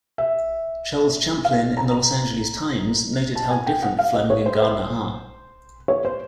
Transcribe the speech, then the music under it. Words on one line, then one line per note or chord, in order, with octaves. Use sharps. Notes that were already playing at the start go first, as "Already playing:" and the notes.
Charles Champlin in the "Los Angeles Times" noted how different Fleming and Gardner are.
E5
F5
A#5
A5
G#5
G5
F#5
F5
D#5
C#5
C5
C5
C#5
C5